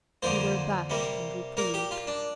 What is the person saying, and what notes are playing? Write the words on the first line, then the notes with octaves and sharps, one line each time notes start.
We were abashed and reproved.
F2 D3 F3 A#3 C5
C3 G3 A#3
A#2 A#3 A#4
G4
F4
D4